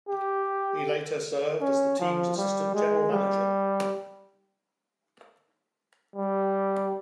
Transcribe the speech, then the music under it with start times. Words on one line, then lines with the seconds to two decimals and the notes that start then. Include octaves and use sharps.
He later served as the team's assistant general manager.
0.09 G4
1.61 C#4
1.99 F3
2.37 G3
2.75 G#3
3.12 G3
6.16 G3